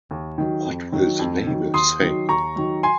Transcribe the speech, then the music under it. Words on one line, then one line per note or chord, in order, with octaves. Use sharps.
What Will the Neighbours Say?
D#2
D#3 F#3
F2
D#3 F#3
F2
D#3 F#3
D#2 C6 D#6
D#3 F#3
D#2 A#5 C#6
D#3 F#3
G#5 C6